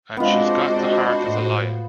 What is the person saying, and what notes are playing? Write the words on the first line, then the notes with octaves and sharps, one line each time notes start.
And she's got the heart of a lion.
G#3 B3 C4 D4 F4 F#4 C5 D#5
A2